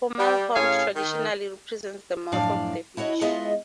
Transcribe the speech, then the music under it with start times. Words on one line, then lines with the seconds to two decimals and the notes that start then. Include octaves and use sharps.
Fomalhaut traditionally represents the mouth of the fish.
0.18 G3
0.55 A2 C#4 G#4 C#5 F5
0.95 D#3
2.32 F#2 A2 F3 D4 D5 F5
2.97 E4 F#4 C#5 D#5
3.21 G#3 B3 F4 G#4 D#5 E5